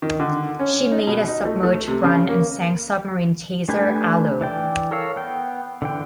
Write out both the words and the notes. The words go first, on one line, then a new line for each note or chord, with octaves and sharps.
She made a submerged run and sank Submarine Chaser Alo.
D#3
D3
C#4
D#4
B2
D#4
A3
A3
C3
C#3
A#3
A3 D4 G4 B4 G#5
E3 D5 G5
A4 A#4 C#5 F5 E6
B3 G5
D3 E3 G5